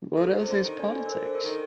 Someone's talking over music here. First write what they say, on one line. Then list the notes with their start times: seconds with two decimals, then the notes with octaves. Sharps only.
What else is politics?
0.16 A#2 A4
0.26 A#2
0.32 C5
0.37 C3
0.48 D3
0.63 D#3
0.79 D3 D4 D5
0.96 D4 D5
1.06 A#4
1.12 C5
1.35 A#4
1.44 D#3 A4